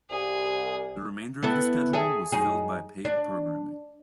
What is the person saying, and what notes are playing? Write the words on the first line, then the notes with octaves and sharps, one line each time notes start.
The remainder of the schedule was filled by paid programming.
C2 G#4
B3 E4 A4
G#4 A4 E5
F#2 D#4 G#4
D4